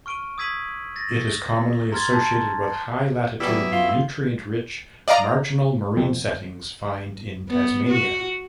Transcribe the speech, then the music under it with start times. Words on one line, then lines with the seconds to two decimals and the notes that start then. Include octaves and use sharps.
It is commonly associated with high-latitude, nutrient-rich, marginal marine settings find in Tasmania.
0.06 C#6 F6 D7 D#7 G7
0.38 D#6 E6 G#6 B6 D#7 F#7
0.96 A6 A#6
1.28 G7
1.92 A#5 C6 F6 G#6 A6
2.12 A5 G6
3.40 B2 E3 F#3 G3 E4
3.72 F4
5.08 D5 D#5 F5 A#5
5.97 F2
7.49 B3
7.88 F#4